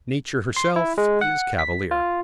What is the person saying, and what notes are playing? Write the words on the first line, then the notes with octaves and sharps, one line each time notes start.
Nature herself is cavalier.
C6
E4
G#3
F#5
B6
F4